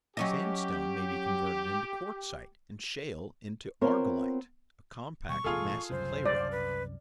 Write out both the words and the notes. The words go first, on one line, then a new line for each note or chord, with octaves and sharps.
Sandstone may be converted into quartzite, and shale into ARGILLITE, a compact, massive clay rock.
F#3 C#4 G4 D#5
B3 C4 F4 A#4 C5 C#5
B2 G3 C#6
E1 A1 F4 G#4 A4
C2 F#2 C#3 C5
D5
B4